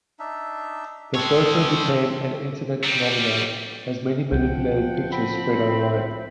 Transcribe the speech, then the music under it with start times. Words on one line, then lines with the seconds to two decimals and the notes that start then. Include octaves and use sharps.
The photo became an Internet phenomenon as many manipulated pictures spread online.
0.19 D4 D#4 E5
1.15 G#3 C4 D4 A4 C#5
2.84 F#3 G3
4.32 C2 F3 F#5 G5
5.12 C4 B5